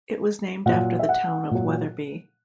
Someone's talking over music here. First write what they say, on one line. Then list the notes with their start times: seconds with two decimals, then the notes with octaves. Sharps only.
It was named after the town of Wetherby.
0.66 A#2 F#3 F#5
0.99 E5
1.09 F#5
1.51 A#2 F#3